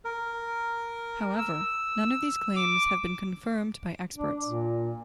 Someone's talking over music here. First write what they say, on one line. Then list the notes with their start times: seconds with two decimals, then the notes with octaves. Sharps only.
However, none of these claims have been confirmed by experts.
0.05 A#4
1.38 E6
2.56 D6
4.15 D4
4.45 A#2